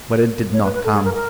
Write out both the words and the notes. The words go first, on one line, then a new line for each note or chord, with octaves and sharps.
But it did not come.
C#5
B4
B4
A4
G#4
A#4
A#4